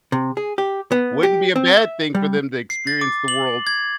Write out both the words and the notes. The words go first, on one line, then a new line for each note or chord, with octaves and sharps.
wouldn't be a bad thing for them to experience the world
C3
G#4
G4
B3
G4
C4
E5
G3
C7
A6
D6
F#7
G#6